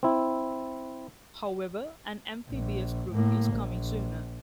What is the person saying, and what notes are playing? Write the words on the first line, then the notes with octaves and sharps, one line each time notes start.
However, an amphibious group is coming sooner.
C4 E4
A#1
A2 A#3
A#1